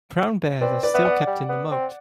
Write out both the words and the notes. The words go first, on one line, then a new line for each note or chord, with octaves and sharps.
Brown bears are still kept in the moat.
C4 B4 D5
B4 D5
B3 E5
D5 F#5
G3
B3
C4